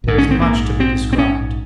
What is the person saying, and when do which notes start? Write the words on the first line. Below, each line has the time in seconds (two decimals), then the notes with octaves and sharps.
There is much to be described.
0.04 A#1 G#2
0.18 C#4
0.31 C4
0.41 A#3
0.80 C4
1.13 C4
1.18 C#4